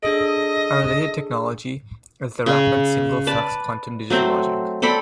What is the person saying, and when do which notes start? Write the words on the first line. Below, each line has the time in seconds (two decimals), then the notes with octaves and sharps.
A related technology is the Rapid Single Flux Quantum digital logic.
0.03 D4 G#4 A4 D#5
2.46 C#3
3.27 B4 D5 A5
4.10 F#3 A3 C4
4.82 C4 A4 D5 B5